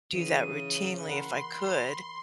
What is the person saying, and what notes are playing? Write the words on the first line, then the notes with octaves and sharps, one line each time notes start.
do that routinely if I could,
C#3 E3 D#7
A#4 F#5 B5 C6